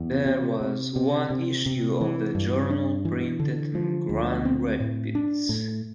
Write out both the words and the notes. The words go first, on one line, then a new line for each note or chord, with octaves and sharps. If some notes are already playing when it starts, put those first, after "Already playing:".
There was one issue of the journal printed in Grand Rapids.
Already playing: E2
C3
C3
C3
C3
C3
E3
G2
D4
E3
D3
F3
D2
C4
A2
D4
A2